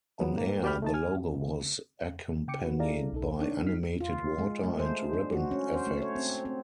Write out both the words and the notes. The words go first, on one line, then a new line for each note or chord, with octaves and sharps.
On-air, the logo was accompanied by animated water and ribbon effects.
F3 F#3 B3
G#2 A#3
F#4 G4 D5 G5 B5 F6
A3 D#4 A5
G#5 F6
C#3 G5 D6 C#7
F#4 B4
E4 G#4 A4 D5 F5 A#5
B1 D#4 A4
D4 D#4 A4 C#5 D5
D#4 F6 B6 C7
F4
G#3
A3
C5
D4
F#4
C#4
C5
A3
C#5
C4
C4